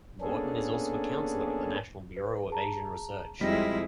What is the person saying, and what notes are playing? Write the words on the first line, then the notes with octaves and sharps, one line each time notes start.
Gorton is also a Counselor at the National Bureau of Asian Research.
A#3 B3 C#4 D4 G#4 A4
B4
G#4 A5 A#5
F2 G3 G#3 D#4 E4 A#6 B6